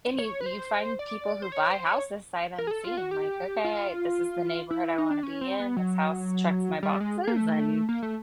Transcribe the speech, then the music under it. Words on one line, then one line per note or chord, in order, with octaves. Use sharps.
and you you find people who buy houses sight unseen, like, "Okay. This is the neighborhood I wanna be in. This house checks my boxes, and
C#5
B4
C5
D5
C5
C#5
C5
C#5
A#4
G#4
A4
F4
F#4
G4
F4
E4
D#4
D4
C#4
C4
B3
F#3
G3
G#3
A#3
A3
A#3
A3